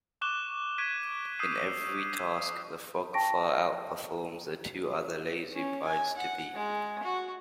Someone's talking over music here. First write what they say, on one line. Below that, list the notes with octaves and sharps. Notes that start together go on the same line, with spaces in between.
In every task, the frog far outperforms the two other lazy brides-to-be.
C#6 D6 F#6 E7 G7
C#6 F#6 G#6 B6 D7 D#7
D#6 E6 G6 G#6 C7 D#7
G5 A5 C#6 A#6 D7
C#4
G#5
F#5
G#3
F#4